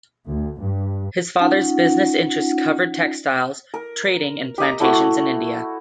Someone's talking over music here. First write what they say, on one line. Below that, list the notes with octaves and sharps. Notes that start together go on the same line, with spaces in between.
His father's business interests covered textiles, trading and plantations in India.
D2
G2
C#4 D#4 F4 F#5
A#4
G4 D#5 A#5
A3 E4 F#4 C#6